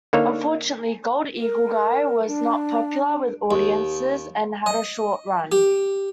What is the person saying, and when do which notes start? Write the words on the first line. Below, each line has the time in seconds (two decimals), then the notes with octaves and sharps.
Unfortunately Gold Eagle Guy was not popular with audiences and had a short run.
0.13 D3 A#3 D#4 C#5
1.38 A#4
2.28 D4
3.51 D#2
4.66 D#5
5.52 G4